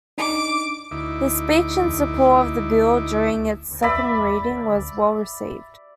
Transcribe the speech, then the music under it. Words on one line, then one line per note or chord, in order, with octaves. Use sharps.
His speech in support of the bill during its second reading was well received.
D4 D#4 D6
D2 D#4 E4 D6
D5 E5 B5